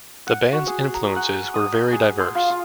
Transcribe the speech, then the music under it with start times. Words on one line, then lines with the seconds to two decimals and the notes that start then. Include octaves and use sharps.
The band's influences were very diverse.
0.27 F#5
0.53 F#4
0.67 G#4
0.94 A#5
1.16 F#5
1.54 D#6
1.92 G#4
2.20 C6
2.35 F4
2.50 F4